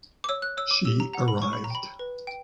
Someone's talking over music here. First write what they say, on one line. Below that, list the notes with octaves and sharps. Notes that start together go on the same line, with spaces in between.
She arrived.
D6
C#5 E6
F#6
C#5 E6
D6
G4 E6
A#5
F#5 A#5
B5
C#5 C#6
B5
A#5
G5 B5
B4
G5